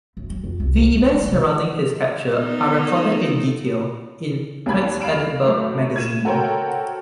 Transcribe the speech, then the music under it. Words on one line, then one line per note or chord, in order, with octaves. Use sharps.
The events surrounding his capture are recorded in detail in "Tait's Edinburgh Magazine".
F#2
F#3
F2
C2
A2
C#2
G2
C3
B3 D#4 A4
D#2 A#3 B5 G#6
F5 B5 D7 E7
A2 F#3 A3
G#6 D#7 E7
F#4 A4 A#4 C5 C#5 G5